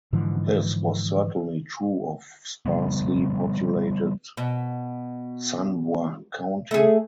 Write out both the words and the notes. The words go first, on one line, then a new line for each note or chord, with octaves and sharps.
This was certainly true of sparsely populated San Bois County.
G#2 D3 E3 F3
C#3 F3 G3 B3
B2
A3 G#4